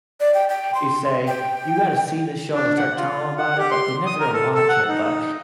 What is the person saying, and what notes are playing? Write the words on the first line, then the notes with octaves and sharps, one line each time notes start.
you say, "You gotta see this show," and they start telling 'em about it, but they're never gonna watch it, but,
D5
G5
G5
C6
G5
D4
F#5
F4
F#5
G4
C6
D#6
A#4
A4
A4
F#5
D#4